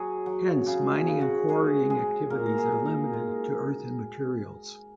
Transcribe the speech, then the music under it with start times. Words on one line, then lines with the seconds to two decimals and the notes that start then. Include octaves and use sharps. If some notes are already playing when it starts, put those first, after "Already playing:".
Hence mining and quarrying activities are limited to earthen materials.
Already playing: F#3 G#4
0.26 F#3
0.66 C#3 G#4
0.95 G#4
1.08 C#3
1.21 F#4
1.49 G#3 G#4
1.90 G#3 G#4
2.30 A#2 A#4
2.46 A#4
2.58 G#4
2.72 A#2
2.85 D#4
3.13 G#3